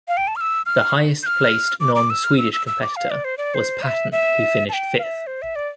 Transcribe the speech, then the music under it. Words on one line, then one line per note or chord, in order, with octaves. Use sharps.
The highest placed non-Swedish competitor was Patton, who finished fifth.
F5
G5
A5
F6
E6
F6
G6
F6
D6
D6
E6
F6
E6
E6
E6
D6
F5
D5
C5
D5
C5
F5
E5
E5
A5
G5
F5
E5
C5
E5
D5